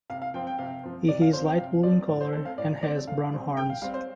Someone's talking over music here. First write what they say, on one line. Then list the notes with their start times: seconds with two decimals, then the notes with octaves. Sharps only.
He is light blue in colour and has brown horns.
0.10 C3 F5
0.22 F5
0.34 F3 C4 G5
0.47 G5
0.58 C3 F5
0.83 F3 C4
1.08 C3 D5
1.21 F5
1.33 F3 C4 C5
1.45 G5
1.58 C3 F5
1.83 C4 D5
1.86 F3
2.08 A2 D5
2.21 C5
2.33 A3 C4 A4
2.45 F5
2.57 A2 D5
2.83 A3 C4 D5
3.07 D3 F5
3.32 G3 C4
3.57 D3 G5
3.70 F5
3.82 G3 C4 F5
3.94 C5